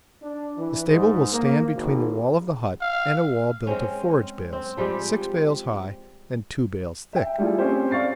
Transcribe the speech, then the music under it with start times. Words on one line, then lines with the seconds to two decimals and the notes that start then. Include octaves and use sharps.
The stable will stand between the wall of the hut and a wall built of forage bales, six bales high and two bales thick.
0.22 D4
0.57 E3
0.87 G#2
1.33 A#3
1.76 G#1
2.81 F5
3.67 G#3 C4 C#4
4.53 C4
4.77 F3 G3 G#3 G4
7.13 E5 G5
7.38 G3 A3 E4 F4 G#4
7.58 C4 C#4 G4 C5
7.91 D5 F5 C#6 A6 C7